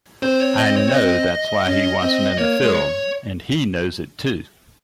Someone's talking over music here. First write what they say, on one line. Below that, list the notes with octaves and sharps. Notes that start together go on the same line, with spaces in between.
I know that's why he wasn't in the film, and he knows it too.
C4 C5
C#5
D#5
C#5
C#5
D#5
C#4
C4
A#3 C#5
G#3
C#5